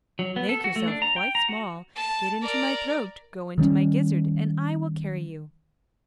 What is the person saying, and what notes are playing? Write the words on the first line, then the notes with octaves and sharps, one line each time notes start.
Make yourself quite small, get into my throat--go into my gizzard and I will carry you.'
F#3
B3
A4
F#4
A3
D4
A#5
G5
A#5
F#4
A5
A#4 D5
D#3 G3 C#4